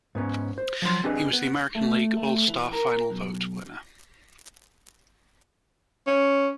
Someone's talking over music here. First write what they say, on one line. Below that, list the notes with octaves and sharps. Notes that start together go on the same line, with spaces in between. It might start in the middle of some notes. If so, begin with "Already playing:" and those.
He was the American League All-Star Final Vote winner.
G#2 B3 C#4
C5
F3 F#3 C6
C4 D4 G4 G#4 B4 D#5
B3
A3
A3
E3
A#4
B1
C#4